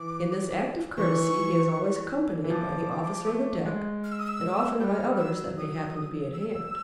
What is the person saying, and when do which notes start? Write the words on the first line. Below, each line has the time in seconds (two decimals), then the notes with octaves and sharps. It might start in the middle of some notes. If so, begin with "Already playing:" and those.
In this act of courtesy he is always accompanied by the officer of the deck, and often by others that may happen to be at hand.
Already playing: E3 D6
0.97 E3 C#6
2.44 E3
2.50 F3 D6
3.27 A3
3.65 G#3
4.04 F6
4.12 E6
4.19 D#6
4.27 E6
4.80 G3 F6 G6
5.09 G3
5.18 F#3 E6
5.57 D#6
6.33 E6